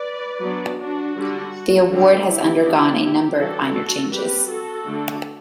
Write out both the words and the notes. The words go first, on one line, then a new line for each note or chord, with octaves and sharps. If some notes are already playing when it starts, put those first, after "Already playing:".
The award has undergone a number of minor changes.
Already playing: B4 D5
F#3 B3 D4
D4 F#4
D3 G3 D4
D3 G3 C4
E4 G4
E3 B3 D4
E4 G4
E3 G3 D4 F#4 A4
G3 C4 G4 B4
F#4 A4
D3 A3 D4